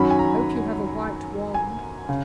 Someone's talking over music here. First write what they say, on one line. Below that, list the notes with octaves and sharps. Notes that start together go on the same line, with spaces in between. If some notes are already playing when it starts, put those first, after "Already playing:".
I hope you have a white wand.'
Already playing: F#2 D#3 F#3 C#4 B5
G#5
A#5
G#5
C#3